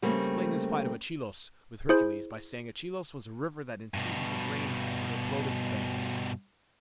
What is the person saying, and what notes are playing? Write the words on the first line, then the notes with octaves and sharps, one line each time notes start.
They explain this fight of Achelous with Hercules by saying Achelous was a river that in seasons of rain overflowed its banks.
C#3 G3 A3 A#3 C4
E4 G#4 C5
G2 B2